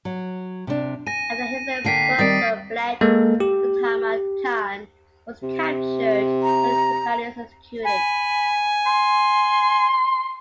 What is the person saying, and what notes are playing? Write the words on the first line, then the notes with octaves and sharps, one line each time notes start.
After Hasan Buzurg fled, Muhammad Khan was captured by the Chupanids and executed.
F#3
C3 D4
G#5 A#6 D#7
D3 A#3 G5 B6 C7 D#7
D#3 G3 C4 D#6 A6 D7
G#3 A#3 A4
G4
C3
A#5
G#5 B5
C6